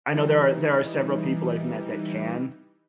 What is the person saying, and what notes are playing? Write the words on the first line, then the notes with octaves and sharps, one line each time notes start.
I know there are there are several people I've met that can,
E3 G3 D#4